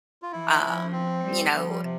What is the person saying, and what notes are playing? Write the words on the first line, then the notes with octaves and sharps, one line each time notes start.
um, you know,
F4
E3 E4
F3
C4
G3
F3 B3
G3
C3